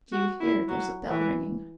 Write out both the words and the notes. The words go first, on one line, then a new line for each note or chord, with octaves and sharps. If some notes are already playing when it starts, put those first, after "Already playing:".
Do you hear, there's a bell ringing?
F#4
E4
F#3
E3